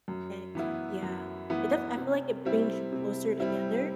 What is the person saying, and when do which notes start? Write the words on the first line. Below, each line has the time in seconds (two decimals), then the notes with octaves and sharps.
text, yeah. It def I feel like it brings you closer together
0.08 F#2
0.55 E3 B3 E4
1.03 F#2
1.50 E3 B3 E4
1.97 C3
2.45 G3 C4 E4
2.92 C3
3.40 G3 C4 E4